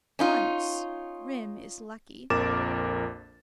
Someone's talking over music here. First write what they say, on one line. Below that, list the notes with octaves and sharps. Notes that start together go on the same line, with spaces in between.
Once Grim is lucky.
C#4 D#4 F4
A#1 F2 A#4 D6 A6 E7